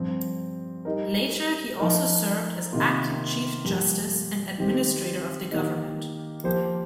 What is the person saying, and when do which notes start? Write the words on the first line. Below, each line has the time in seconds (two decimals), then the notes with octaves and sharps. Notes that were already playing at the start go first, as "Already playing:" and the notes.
Later he also served as acting Chief Justice and Administrator of the government.
Already playing: G2 F3 C4
0.85 G3 D#4 A#4
1.79 F3 D#4 A#4
2.72 C3 D#3 A#3 F4 A#4
3.64 G2 F3 A#3 G4
4.58 D#3 G3 C4 G4
5.51 D#3 A#3 D#4 G4
6.44 F3 A#3 G4 C5